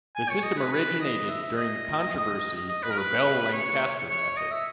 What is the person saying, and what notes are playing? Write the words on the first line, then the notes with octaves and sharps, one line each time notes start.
The system originated during the controversy over Bell-Lancaster method.
G#5
C#5
D#5
B4
B4
D#5
E5
E5
D#5
D#5
B4
A#4
B4
C#5
C#5
D#5
E5